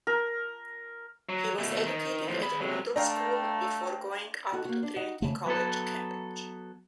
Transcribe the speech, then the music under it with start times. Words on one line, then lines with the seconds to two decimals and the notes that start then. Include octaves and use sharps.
He was educated at Oundle School before going up to Trinity College, Cambridge.
0.07 A#4
1.29 F#3
1.59 B2 A3
1.86 D#3
2.28 A2 F3
2.43 G#4 B5
2.60 C3 F#3
2.96 A3 D4 F5 G5 A#5
4.52 D#4 F#4 A4
4.65 A#3 F#4
4.83 D4
4.96 D#4 F#4 F#5
5.22 F2 C#3 A3
5.46 F#3 B3 A4